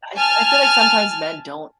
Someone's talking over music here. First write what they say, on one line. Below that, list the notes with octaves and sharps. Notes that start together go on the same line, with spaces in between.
I f I feel like sometimes men don't
G#5 A5 F6